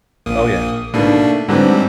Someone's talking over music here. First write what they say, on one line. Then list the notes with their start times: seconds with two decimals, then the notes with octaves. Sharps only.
Oh, yeah.
0.26 A#1 A#3 D#6
0.94 B2 D#3 A3 A#3 D4
1.49 G#2 D3 E3 F#3 G3 C4